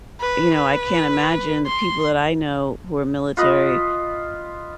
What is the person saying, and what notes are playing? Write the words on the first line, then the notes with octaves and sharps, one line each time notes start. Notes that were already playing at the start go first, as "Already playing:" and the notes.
you know, I can't imagine the people that I know who are military,
B4
B4
C6
F4 B4 D#5